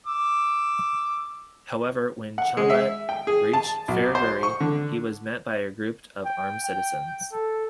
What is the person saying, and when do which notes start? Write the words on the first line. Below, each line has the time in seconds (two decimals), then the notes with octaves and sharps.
However, when Chanute reached Fairbury, he was met by a group of armed citizens.
0.06 D6 E6
2.38 F#5
2.57 G#3
2.70 E5
3.09 G5
3.27 G#4
3.53 A5
3.88 B1
4.15 C5
4.43 C#6
4.60 D3
6.25 G5
6.64 G5
7.32 A4